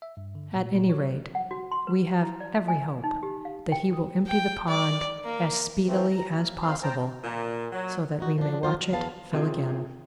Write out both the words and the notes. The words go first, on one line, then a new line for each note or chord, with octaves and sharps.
At any rate we have every hope that he will empty the pond as speedily as possible so that we may watch it fill again.
E5
G2
D3
A#2
A#2
C#5
F#5
F#4
C6
B4
E4
D5
G#5
D#4
G4
F5
G5
D#6
G5
D5
A#3
E3 F3 A3 C4
A#5
A#3
D3 C4 F5 C6
C5 G5 A5 A#5
A#2
F#3
D#4 F#4
F3 D4
F#3 F4 C5
F#3
E2 B3 F5 A5
C3 C4 F4 G#4